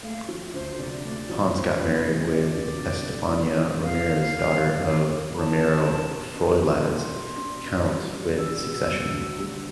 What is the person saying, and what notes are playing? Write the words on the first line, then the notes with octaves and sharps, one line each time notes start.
Ponce got married with Estefania Ramirez, daughter of Ramiro Froilaz count with succession.
A3 F5
F3
D2 C5
C3 D5
A3
F3
D2 C5
B4
C3
B4
A3
C5
F3 D5 E5
D2
C3
A4
E4
E3
B3 F5
A4
E4
E3
B3
A4
E4 A5 B5
E3
B3
B2
D4
B2
G3 C6
B2
D4
B2
G3
B2
D4 E6
B2
G3
D2
G3